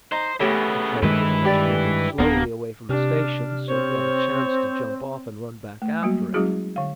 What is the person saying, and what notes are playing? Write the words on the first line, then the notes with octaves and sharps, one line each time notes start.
The train was just moving slowly away from the station, so he had a chance to jump off and run back after it.
D#4 C5
A2 C#3 B3 C#4 G4
G2 D#3 G#3 E4 B4
G4 D5
D1 A#3 B3 D4
C3 D4 G4 F6
C4 C5 C#5
A3
F#3 G3 A#3 F#4
F#3 G#3 C#4 E4 F#4 G#4
D3 F5